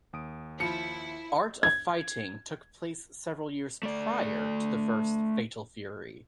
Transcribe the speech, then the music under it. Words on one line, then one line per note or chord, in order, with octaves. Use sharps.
"Art of Fighting" took place several years prior to the first "Fatal Fury".
D#2 D#6 D7
F3 E4 C#7
G#6
A3 D5